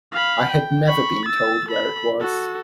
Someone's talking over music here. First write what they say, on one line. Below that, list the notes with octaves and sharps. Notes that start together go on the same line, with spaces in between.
I had never been told where it was.
F5 B5
G5
B5 C#6
E6 A6
A4 B5
F#4 A4